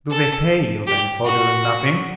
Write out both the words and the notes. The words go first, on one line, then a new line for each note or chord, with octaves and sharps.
"Do they pay you, then, for doing nothing?"
A4
G4
F#4